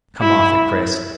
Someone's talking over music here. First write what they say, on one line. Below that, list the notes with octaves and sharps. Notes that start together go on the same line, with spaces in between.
"Come off it, Chris!"
E4